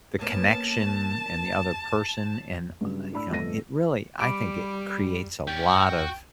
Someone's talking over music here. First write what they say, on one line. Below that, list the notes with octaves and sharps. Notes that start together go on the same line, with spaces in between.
the connection, and the other person. And, uh, you know, it really I think it creates a lot of,
A#3 B3 C#4 A5
G2 C#3 F#3
A2 D4 B5 E6
G1 F2 A3 A4 A#6 D#7
G3 B5 D6 D7
C#4 D5 G5
F#4